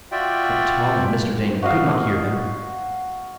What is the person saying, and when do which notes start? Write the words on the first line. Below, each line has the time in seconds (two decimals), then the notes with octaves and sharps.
But Tom and Mr. Damon could not hear them.
0.12 F4 F#4 D5 E5 G5
1.63 F#4 D#5 F5